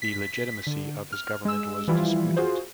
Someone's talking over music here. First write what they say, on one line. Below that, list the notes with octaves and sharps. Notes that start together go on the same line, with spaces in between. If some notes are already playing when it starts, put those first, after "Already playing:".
The legitimacy of his government was disputed.
B6
D3
F6
G#3 E6
E3 F3 G3 E4 F4
F4 F#4 G#4 C5